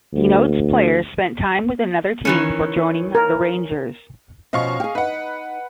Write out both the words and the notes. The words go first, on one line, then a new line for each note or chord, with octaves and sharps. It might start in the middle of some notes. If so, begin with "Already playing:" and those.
Denotes player spent time with another team before joining the Rangers.
D2
D#3 E3 C#4
A#4
B2 F3 C#4 D#5 F5 C#6
G4 G#4
D#4 B4 F#5